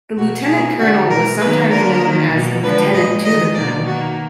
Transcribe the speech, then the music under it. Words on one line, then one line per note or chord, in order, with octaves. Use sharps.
The lieutenant colonel was sometimes known as lieutenant to the colonel.
B2 A#3 F#4
B2 A#3 G#4
D3 G#3 F#4
B2 G#3 A#4
D#3 F#3 A#3 B4
D3 F#3 A#3 A#4
D#3 F#3 A#3
B2 A#3
D3 F3 G#3 B4
A#2 G#3 D#5
D#3 G#3 D#5
B2 F#3 A#3 D5
D#3 A#3 F#4